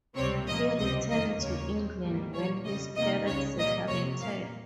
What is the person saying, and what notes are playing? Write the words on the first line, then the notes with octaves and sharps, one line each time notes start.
He returned to England when his parents separated.
C#2 C3 G3 C4 C#5
A#2 F3 A#3 D#5
C#2 C3 G3 C4 D#5
F2 D#3 A#3 D#5
D#2 C#3 F3 A#3 C#5
A#2 G#3 C4
G#2 D#3 G3 A#3
A#2 G3 A#3 C#5
F2 C#3 G3 D#5
F2 C3 D#3 A#3 D#5
C#2 C#3 G#3 C#5
A#2 G3 A#3 D#5
F2 C3 F3 C#5
A#2 G3 A#3 F5